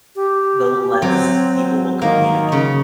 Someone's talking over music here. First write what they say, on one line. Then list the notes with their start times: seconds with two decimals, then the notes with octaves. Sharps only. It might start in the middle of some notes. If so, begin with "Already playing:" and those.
the less people will communicate.
0.16 G4
1.02 F#3 C4
2.02 D#3 A#3
2.52 C#3